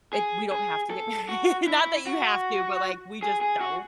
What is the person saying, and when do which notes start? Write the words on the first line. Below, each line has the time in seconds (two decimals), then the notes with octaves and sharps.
it we don't have to get married, not that you have to, but like we just don't.
0.13 G#4
0.52 G#4
0.90 A4
1.29 F#4
1.67 E4
2.06 F#4
3.23 G#4
3.41 G#4
3.60 F#4